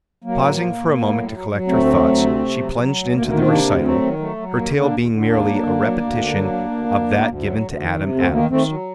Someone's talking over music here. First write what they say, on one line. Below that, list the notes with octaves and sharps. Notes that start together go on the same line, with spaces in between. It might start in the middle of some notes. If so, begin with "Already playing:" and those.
Pausing for a moment to collect her thoughts, she plunged into the recital, her tale being merely a repetition of that given to Adam Adams.
F#3 A#3
A2
A2
A2
A2
F#3
F#3
F#3
D2 A3 C4
F#3
D2
C3
C3
F#3
F#3
D2
D2 A#3
D#3 A#3
C4
C3 A#3 D4
D2
F#3 A3 C4
D#3
F#3 A3
F#3
D#2 A#3
D3
A#3 D4
D#2
D3
D#2 A#3 D4
F#3
D3
F#3
D2
D3
F#3
D2
D2
D2
D2
D2
F#3
D2
D#3
C3
D2 A3 C4
D#3 A#3
D#3 A3 C4
F#3